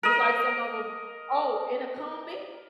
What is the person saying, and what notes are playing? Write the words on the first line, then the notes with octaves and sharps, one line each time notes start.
just like some of 'em Oh, in a comment,
A#4 D#5